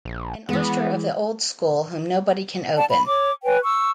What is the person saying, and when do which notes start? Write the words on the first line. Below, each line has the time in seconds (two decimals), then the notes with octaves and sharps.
An oyster of the old school whom nobody can open.
0.05 A#1
0.49 E3 G#3 B3
2.75 D5 F#5 A5
2.89 B5
3.07 C#5 D6
3.44 B4 C#5 G5 G#5
3.62 C#6 E6